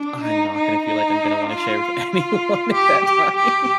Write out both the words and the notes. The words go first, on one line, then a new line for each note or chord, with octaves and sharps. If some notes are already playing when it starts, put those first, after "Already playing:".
I'm not gonna feel like I'm gonna wanna share with anyone at that time.
Already playing: D4
D#4
D#4
D#4
F4
F4
G4
G4
G4